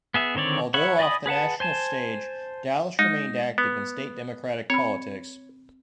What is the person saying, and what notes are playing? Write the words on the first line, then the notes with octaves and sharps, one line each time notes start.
Although off the national stage, Dallas remained active in state Democratic politics.
B3 G#4 E5
D3 D#3 C4 C#5 D5
C#5 E5 F#5 B5 C#6
D5 D#5 G#5 B5 D#6
G#4 B4 F#5 A5
C5 G#5 A5
G#3 D#4
B3
C4 C#5 B5